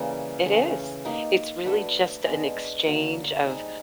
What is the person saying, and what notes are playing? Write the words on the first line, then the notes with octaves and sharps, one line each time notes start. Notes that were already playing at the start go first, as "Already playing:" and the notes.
It is. It's really just an exchange of
Already playing: C#3 E3 G3 A#3
C#3 E3 A3
A#3 D#4 G4
A3 D4 F#4 B4
G#3 B3 D4
D3 F#3 A#3
G3 C4 D#4 G#4